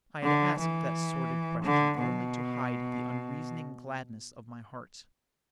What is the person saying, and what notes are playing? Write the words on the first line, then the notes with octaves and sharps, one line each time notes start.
I had asked that sordid question only to hide the unreasoning gladness of my heart.
D3
E3
D3
B2